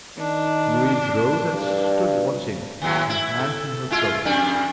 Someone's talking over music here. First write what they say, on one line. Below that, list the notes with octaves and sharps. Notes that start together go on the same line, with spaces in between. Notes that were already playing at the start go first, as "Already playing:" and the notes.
Louise rose and stood watching, her hand to her throat.
D#3 D4
G2
D#2 A2 F#3
E4
A4
G#3 E4 F4
F2 G3 D4